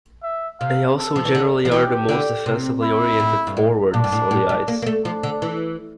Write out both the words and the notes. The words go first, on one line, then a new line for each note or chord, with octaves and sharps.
They also generally are the most defensively oriented forwards on the ice.
E5
C3 F5
A4
F3
E3
D3
F3
E3 G4
D3
C3
E4
A2
G2
A2
A#2 D4
G2
A2
A2
G3
A#3
A#3
A3
F3 D4
D3
E3